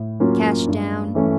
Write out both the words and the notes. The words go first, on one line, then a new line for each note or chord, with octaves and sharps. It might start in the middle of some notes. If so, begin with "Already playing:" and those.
"Cash down?"
Already playing: A2
F#3 A#3 C#4 F4
G2
E3 A3 C#4